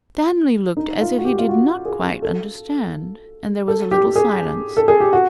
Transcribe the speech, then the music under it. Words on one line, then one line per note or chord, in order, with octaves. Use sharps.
Stanley looked as if he did not quite understand, and there was a little silence.
D#4
F4
F#4
G4
F4
F#4
G#4
A4
A4
G4
G#4
A4
G#4
G4
F#4